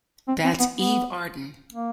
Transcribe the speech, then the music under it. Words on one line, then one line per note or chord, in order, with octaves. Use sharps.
That's Eve Arden.
C4
C4
B3
B3
A#3